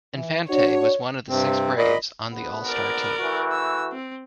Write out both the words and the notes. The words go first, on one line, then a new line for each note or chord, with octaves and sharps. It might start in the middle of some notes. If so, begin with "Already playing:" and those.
Infante was one of six Braves on the All-Star team.
E3
D4 F#4 C#5
G2 C3 C4
A#2 D#5 B5
A#1 B3
A#4 D5
E3 A3 F#4
E6
C4